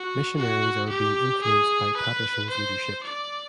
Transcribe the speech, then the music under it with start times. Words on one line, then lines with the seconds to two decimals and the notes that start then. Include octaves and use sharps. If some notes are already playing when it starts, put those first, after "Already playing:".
Missionaries are being influenced by Patterson's leadership.
Already playing: F#4
0.36 F#4
0.89 G4
1.43 G#4
1.96 B4
2.50 C5
3.03 D5